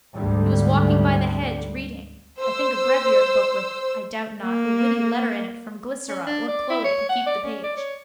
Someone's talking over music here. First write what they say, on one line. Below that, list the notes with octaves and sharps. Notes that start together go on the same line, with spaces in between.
He was walking by the hedge, reading, I think a brevier book with, I doubt not, a witty letter in it from Glycera or Chloe to keep the page.
D2 G#2 D3 G3
C5 E6
A#3
C#4
D4
D5
E4
C#5
F#5
D5
C#4
D5
C#5